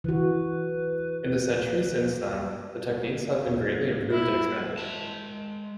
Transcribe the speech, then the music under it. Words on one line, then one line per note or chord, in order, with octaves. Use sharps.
In the century since then the techniques have been greatly improved and expanded.
E3 F#4 B4
E4
G#3 A5